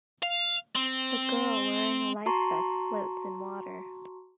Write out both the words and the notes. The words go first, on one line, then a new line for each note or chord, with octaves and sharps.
A girl wearing a life vest floats in water.
F5
C4
F#4 A5 A#5 C6 C#6